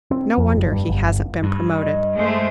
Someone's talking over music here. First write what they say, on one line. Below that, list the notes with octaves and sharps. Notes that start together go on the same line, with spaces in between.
No wonder he hasn't been promoted.
C4
F2
F#1
G2
G1
G2
D#5
G#3 A3 C5